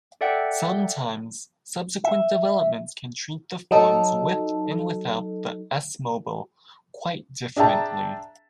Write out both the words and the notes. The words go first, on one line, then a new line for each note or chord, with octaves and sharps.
Sometimes subsequent developments can treat the forms with and without the s-mobile quite differently.
A4 D5 E5 F#5 G5
E5
F#3 D#4 A4
D4 G#4 E5 G5 A5 A#5